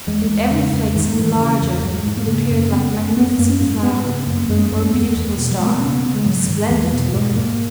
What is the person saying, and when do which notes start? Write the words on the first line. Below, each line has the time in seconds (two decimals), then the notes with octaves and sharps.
And every flake seemed larger, and appeared like a magnificent flower, or beautiful star; it was splendid to look at!
0.07 E2 G#3
0.29 E2
0.51 C#3
0.73 E2
0.95 G#2 D#3
1.17 G#2 E3
1.39 C#3
1.62 E2
1.83 G#2 F#3
1.95 G#3
2.06 G#2
2.17 A#3
2.28 C#3
2.50 F#2
2.72 C#3 B3
2.94 F#2
3.16 F#2 B3
3.30 B3
3.38 F#2 A#3
3.50 C#4
3.60 G#2 C#4
3.78 C#4
3.82 G#2 B3
4.04 C#3 B3
4.27 F#2 A#3
4.49 F#2 G#3
4.71 F#2 A#3
4.93 E2 B3
5.16 E2
5.38 B2
5.51 F#3
5.59 B2 G#3
5.67 A#3
5.74 B3
5.81 C#3 C#4
5.93 B3
6.04 C#3 B3
6.15 G#3
6.25 G#2 F#3
6.48 G#2 D#3
6.70 E2 E3
6.92 B2
7.13 G#2 G#3
7.36 G#2 A#3